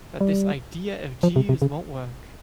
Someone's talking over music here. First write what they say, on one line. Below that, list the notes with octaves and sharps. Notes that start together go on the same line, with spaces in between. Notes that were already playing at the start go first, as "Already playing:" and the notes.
That this idea of Jeeves's won't work.
G3
F3
C3
C3
C#3